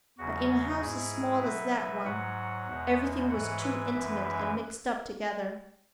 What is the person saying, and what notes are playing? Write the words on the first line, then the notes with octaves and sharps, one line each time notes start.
But in a house as small as that one, everything was too intimate and mixed up together.
E2 C#3 F#3 F#4
G#2 G#3 E4 G#4
B2 F#3 B4 E5
G#2 F#3 C#5 F#5
E2 B2 G#3
G#2 E3 G#3 C#5 F#5
B4 E5
F#2 E3 G#3
B4 E5